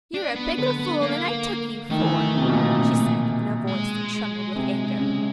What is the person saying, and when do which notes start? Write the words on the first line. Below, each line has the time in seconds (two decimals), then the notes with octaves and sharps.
"You're a bigger fool than I took you for," she said in a voice that trembled with anger.
0.14 D4
0.36 B3
0.58 D3 B3
0.79 B3
1.02 A#3
1.90 D#3 A3
2.01 E3
2.12 D#3
2.34 C3
2.42 B2
2.49 A#2
2.57 B2
2.78 C3
3.67 G#3
4.56 C3
4.99 C#3